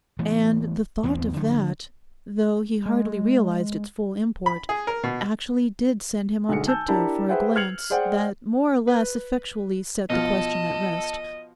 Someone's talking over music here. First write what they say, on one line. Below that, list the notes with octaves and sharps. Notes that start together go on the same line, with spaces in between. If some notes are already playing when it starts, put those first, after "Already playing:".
And the thought of that--though he hardly realised its full import--actually did send him on tip-toe for a glance that more or less effectually set the question at rest.
E3 A3 B3
A1 E2 B3 C4
D3 F3 F#3 A3
G#3
B5
G#4
A#4
B2
B1 D3 G#3 C#7
G#5 A5 E6 G6
D4 E4 G4 A#4 A5 A#5
G#4 B4 C5 E5 F#5 G5
F6 G#6 C7 C#7 F7 F#7
G#4 C5 D5 F#5 G5
B4
B2 F3 A4 D#5 F6